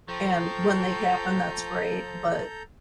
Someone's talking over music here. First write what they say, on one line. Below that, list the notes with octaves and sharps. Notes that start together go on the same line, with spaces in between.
and when they happen, that's great, but
F3 A4 C5 G5 A#5 C#6 G6